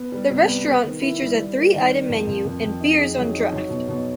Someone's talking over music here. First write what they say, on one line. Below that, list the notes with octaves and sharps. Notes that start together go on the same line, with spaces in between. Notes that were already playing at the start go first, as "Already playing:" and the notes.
The restaurant features a three-item menu and beers on draft.
Already playing: B3
G3
C3
B3
B3
D#3
E4
G3
G3
A#3
D#3
A#3
F2
F2
F2
F2
D#4
G#4
F#3
D#4
F#3
B2
B2